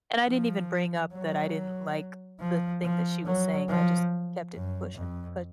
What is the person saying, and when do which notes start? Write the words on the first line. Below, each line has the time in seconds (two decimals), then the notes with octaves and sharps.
And I didn't even bring up that I didn't like the thing that she was saying, I just kept it pushing, but
0.26 F3
1.13 F#3
2.40 F3
2.83 F3
3.25 F#3
3.69 F3
4.54 F#2
4.95 F2